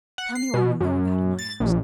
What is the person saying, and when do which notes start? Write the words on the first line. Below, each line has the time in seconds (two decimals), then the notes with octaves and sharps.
"Tell me all you know about him?" I asked.
0.18 F#5
0.35 C7
0.54 B2
0.81 F#2
1.39 A6
1.60 A#1